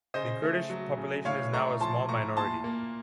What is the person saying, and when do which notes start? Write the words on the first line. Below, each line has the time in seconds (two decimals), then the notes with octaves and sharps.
The Kurdish population is now a small minority.
0.14 C#3 C5 D#5
0.42 A3
0.70 F#3
0.97 C#3
1.25 A2 C#5 F5
1.53 A3 A#5 C#6
1.81 F3 A5 C6
2.09 A2 A#5 C#6
2.36 A#2 A5 C6
2.64 A#3